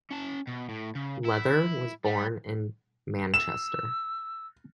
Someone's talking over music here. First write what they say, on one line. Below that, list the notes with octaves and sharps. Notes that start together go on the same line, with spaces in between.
Leather was born in Manchester.
C#4 A5
B2
A2
C#3
E4
G3
E6 E7